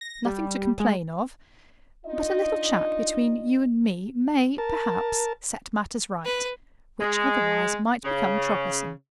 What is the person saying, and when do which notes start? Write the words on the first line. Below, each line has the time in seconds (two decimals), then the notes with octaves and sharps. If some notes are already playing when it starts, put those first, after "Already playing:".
"Nothing to complain of; but a little chat between you and me may, perhaps, set matters right, which, otherwise, might become troublesome."
0.01 A#6
0.25 G3
0.80 G#3
2.06 D4 D#4 F4 D#5
4.58 A#4 A5
6.25 B4
7.00 G#3
8.04 C#3